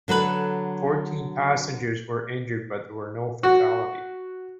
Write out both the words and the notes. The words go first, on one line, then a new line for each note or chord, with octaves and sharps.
Fourteen passengers were injured, but there were no fatalities.
D3 F#3 A4 B4
F#4